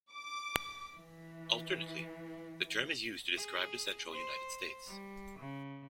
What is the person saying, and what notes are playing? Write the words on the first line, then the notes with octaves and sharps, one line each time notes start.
Alternately, the term is used to describe the central United States.
D6
E3
G#4
C5
G3
C#3